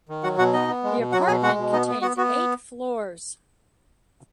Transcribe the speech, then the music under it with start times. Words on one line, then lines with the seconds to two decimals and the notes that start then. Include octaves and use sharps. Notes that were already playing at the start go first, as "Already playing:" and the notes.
The apartment contains eight floors.
0.09 D#3
0.23 F#3 F#4 F#5
0.38 B2 F#4 F#5
0.53 B3 D#4 D#5
0.68 B3
0.84 G#3
0.98 B2
1.12 F#3 F#4 F#5
1.27 B2 G#4 G#5
1.42 G#3 F#4 F#5
1.58 B2
1.72 B3 D#4 D#5
1.87 B3
2.02 B3 F#4 F#5
2.17 B3 F#4